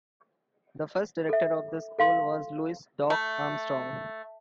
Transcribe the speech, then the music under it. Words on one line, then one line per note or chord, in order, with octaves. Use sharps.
The first director of the school was Louis "Doc" Armstrong.
A4 E5
A4 F5 C6
A3